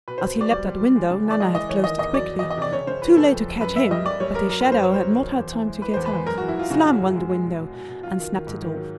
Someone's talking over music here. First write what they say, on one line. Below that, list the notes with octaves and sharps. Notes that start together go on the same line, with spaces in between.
As he leapt at the window Nana had closed it quickly, too late to catch him, but his shadow had not had time to get out; slam went the window and snapped it off.
B2 B4
B2 C5
B2 D5
G3 D5
G3
G3
G#3
C#3
E3
D5
G#3 D#5
E3 D#5
E3 C#5
D#3 D#5
E2 D#5
F#3 D5
F#3
D#5
E2
D#5
C3 D5
C#3 C#5
C#3 C5
F3 B4
C#3 A4
F2
F2
F#2 B4
F#2 E5
G3 D#5
G3 D5
G3 C#5
F#2 A#4
F#3 A#4
F#2 B4
C5
F#2 C#5
F#3 C5
D#3
F#2
E2
E3
G#3
E3 B4
E2 C5
B4
G#3
F#2 A#4
E3 F#4
E4
E3 F4
C#3 F#4
C#3
F#4
F#2
G#3
G#3
B2
B2
B2
B2
F#3 F4
D#3
D#3
G#2
D#3
F#3